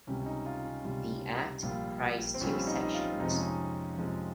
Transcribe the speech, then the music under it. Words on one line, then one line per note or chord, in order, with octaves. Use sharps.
The Act comprised two sections.
C#2 C3 G3 C#4
C#4
D#4
F4
C#4
C#2 C3 G3 F4
A#1 A#2 G3 F4
C4
A#1 A#2 G3 C#4
D#4
D#4
F4
F2 C3 F3 G#3 D#4
C#4
D#4
F2 C3 F3 G#3